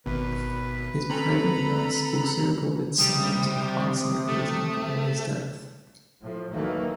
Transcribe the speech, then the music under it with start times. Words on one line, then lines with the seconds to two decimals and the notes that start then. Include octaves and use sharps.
His private nurse also reported signs of arsenic poisoning before his death.
0.06 G#1 B2 B4
1.10 C4 C#4 A4 G#5 A#5 B5
2.98 C3 G3 D#6
4.28 A3
6.22 A2 F3
6.53 D2 D#3 E3 F#3 A3 A#3